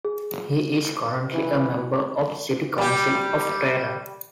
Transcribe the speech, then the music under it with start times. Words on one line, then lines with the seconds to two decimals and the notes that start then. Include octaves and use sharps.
He is currently a member of City Council of Tehran.
0.05 G#4
1.32 E3
2.78 G3 G4